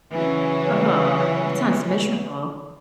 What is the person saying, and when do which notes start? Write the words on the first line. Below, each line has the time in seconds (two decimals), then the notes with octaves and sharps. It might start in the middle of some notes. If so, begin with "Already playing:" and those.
Ugh, that sounds miserable.
0.11 C#3 E3 F#3 C#4